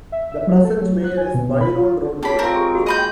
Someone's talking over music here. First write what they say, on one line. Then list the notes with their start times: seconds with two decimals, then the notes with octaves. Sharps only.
The present Mayor is Byron Rodway.
0.12 E5
0.32 E5
0.47 F#3
0.65 A4
0.82 F#3
1.04 F#6
1.17 G#5
1.34 B2
1.49 B2
1.61 B5
1.76 F4
2.23 C#4 D4 G#4 C#5 B5
2.39 C4 F4 A#4 G#5
2.53 G#3 G4 C#6
2.75 G#3 A#3 F#4
2.86 D#5 G#5 B5 C6 G6
2.98 G5